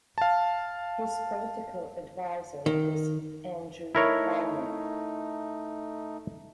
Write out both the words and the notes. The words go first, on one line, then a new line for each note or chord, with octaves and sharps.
His political adviser was Andrew Palmer.
F5 A5
D#3
A3 D#4 E4 A#4 C#5